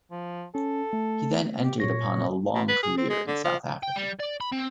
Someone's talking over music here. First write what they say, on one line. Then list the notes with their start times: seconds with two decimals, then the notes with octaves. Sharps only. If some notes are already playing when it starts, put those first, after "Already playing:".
He then entered upon a long career in South Africa.
0.11 F3
0.55 C#4 A4
0.93 A3
1.64 G4
1.80 A#2 C#5 A#6
2.55 B2
2.68 B4
2.83 G#4
2.98 C4
3.09 G#3
3.28 D3
3.44 F3
3.83 G5
3.96 G3
4.20 D5
4.41 B5
4.52 C4